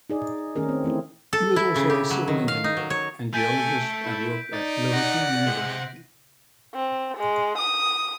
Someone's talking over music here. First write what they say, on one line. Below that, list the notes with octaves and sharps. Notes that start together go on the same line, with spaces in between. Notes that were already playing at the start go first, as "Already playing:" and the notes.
He was also a civil engineer, and geologist and worked at Liverpool University.
D#4 G#4 D5
D#3 A3 C#4 G#4 A#4
C4
E3 A3 C4 E4
A4
E4
C#3
G4
F#3
D#3
F5
D#4
F#3
C#5
A3 A4 G#5 G6 B6 D7
E4
D#4 D5
F#5 A#6
C3 G#3
C4
G#3
D#6